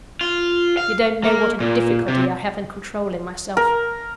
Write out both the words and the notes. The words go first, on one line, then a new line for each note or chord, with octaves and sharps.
You don't know what a difficulty I have in controlling myself.
F4
F5
A#3
A#2
C3
A#4